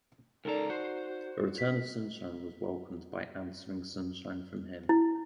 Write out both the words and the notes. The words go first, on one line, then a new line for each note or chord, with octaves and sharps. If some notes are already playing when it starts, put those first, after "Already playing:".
The return of sunshine was welcomed by answering sunshine from him.
C#2 D#4 A4 A#4 D5 A#5
F#4 C5
B6
E4